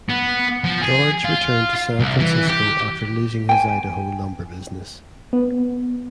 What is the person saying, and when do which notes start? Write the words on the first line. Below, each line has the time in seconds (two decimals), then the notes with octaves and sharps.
Dodge returned to San Francisco after losing his Idaho lumber business.
0.09 B3
0.64 F3
0.81 G#4
1.24 F4
2.00 C2
2.19 E3
2.49 G4
3.49 G5 G#5
5.33 B3